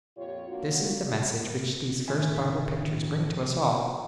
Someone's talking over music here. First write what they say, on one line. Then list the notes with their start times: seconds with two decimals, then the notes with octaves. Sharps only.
This is the message which these first Bible pictures bring to us all.
0.17 F2 A#2 F4 G4 C#5
0.48 A#3 D4 F4 F#4
2.08 A2 D#3 D4 F4 E5 G#5